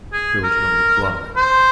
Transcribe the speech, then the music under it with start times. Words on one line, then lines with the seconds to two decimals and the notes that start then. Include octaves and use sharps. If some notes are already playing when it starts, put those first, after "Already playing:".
There was no reply.
0.13 G#4
0.44 A#4
1.37 C5